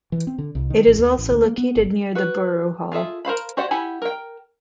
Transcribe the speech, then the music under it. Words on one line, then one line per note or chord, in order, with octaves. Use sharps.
It is also located near the Borough Hall.
E3
C4
D3
C2
D#3
A1
D#2
A1
D2
A#3
B3
G1
F#4 B4
F4 G#4 A4 E5
A#4 C5 F5 B5
F#4 G4 C5 D5 F#5
E4 G4 F#5 G#5 B5
A#4 G5